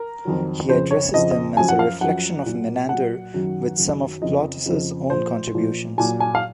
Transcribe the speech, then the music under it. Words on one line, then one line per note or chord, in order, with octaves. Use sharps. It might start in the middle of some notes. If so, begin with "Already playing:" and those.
He addresses them as a reflection of Menander with some of Plautus' own contributions.
Already playing: A#4
F2 D#3 F#3
F2 C#3 F3 C5
C#5
F2 C#3 F3 D#5
F#2 F3 G#5
F#5
F5
F#2 F3 F#5
A#2 F#3
A#2 F#3 F#5
F#2 D#3 F#3
F#2 D#3 F#3
F2 C#3 F3 D#5
F2 C#3 F3
A#2 F3 C5
A#2 F3
A#2 F#3 G#5
G#5
F5